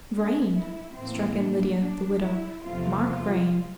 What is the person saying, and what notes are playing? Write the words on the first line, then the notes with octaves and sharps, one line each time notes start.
"Vrain!" struck in Lydia, the widow, "Mark Vrain."
D4
E4
A2 E3 A#3 C4
D4
D4
E4
E2 C3 F3 A3 C4 F4
F4